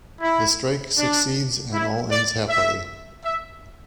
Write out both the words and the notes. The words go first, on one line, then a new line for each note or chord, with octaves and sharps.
The strike succeeds, and all ends happily.
E4
D4
E4
D5
E5
E5